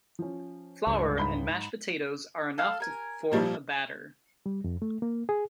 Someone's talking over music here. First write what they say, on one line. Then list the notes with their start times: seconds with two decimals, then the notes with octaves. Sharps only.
Flour and mashed potatoes are enough to form a batter.
0.19 F3 C#4
0.87 C#2 G2
1.18 G#2 B5 G7
2.58 A4 F5
2.80 A#4 G#5
3.32 A#2 F3 G3
4.46 G3
4.64 F2
4.82 A3
5.02 A#3
5.29 G#4